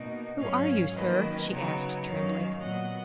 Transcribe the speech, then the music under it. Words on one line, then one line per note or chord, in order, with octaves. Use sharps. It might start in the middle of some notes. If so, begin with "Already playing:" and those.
"Who are you, sir?" she asked, trembling.
Already playing: B2 A#3 D#4
G#2 F#3 C#4 C#5 F5
D#3 F#3 A#3 C#4 B4 D#5
C#3 F#3 B3 D#4
F#2 D#3 F#3 C#4 C#5 F5
A#2 F#3 B3 D#5 F#5